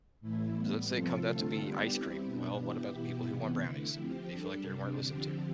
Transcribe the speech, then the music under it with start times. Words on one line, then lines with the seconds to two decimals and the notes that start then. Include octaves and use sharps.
Let's say it comes out to be ice cream. Well, what about the people who want brownies? They feel like they weren't listened to.
0.21 A2 E3 A3 E4
0.55 A2 G3 B3
0.88 C3 F3 C4 F4 A4
1.23 D3 A3 C4 F4 A4
1.57 G3 B3 D4 G4
1.91 G3 C4 E4 G4
2.25 B2 B3 D4
2.58 E3 B3 E4 G4
2.92 B2 B3 E4 G4
3.26 C3 E3 B3
3.60 D3 A3 E4
3.94 F3 C4 G4
4.28 G3 D4 A4
4.62 C3 G3 D4
4.96 D3 F3 C4 G4